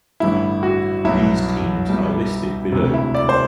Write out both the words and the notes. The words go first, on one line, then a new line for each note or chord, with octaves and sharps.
These teams are listed below.
A1 G2 D3 G3 E4
F#4
C2 B2 F#3 E4
C2 B2 G3
E1 D2 C3
E4
D5
C5